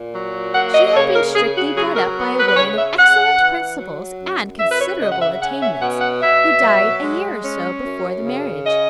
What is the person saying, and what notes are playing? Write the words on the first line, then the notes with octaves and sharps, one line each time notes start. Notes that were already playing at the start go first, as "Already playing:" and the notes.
She had been strictly brought up by a woman of excellent principles and considerable attainments, who died a year or so before the marriage.
Already playing: A#2
F#3
A#3 F#5
D#5
D#5
C#3 C#5
A#4
C#3 G#4
F#4
F#3 G#4
A#4
B3
B4
B4
C#3 C#5
E5
C#3 F#5
E3
F#3
F#2
F#2 E5
B4
C#5
C#3 D#5
F#5
E5
C#4 F#5
E5
B2 F#5
F#5
B2 E5
F#3
G#3
C#4
F#2
C#3
C#4 D#5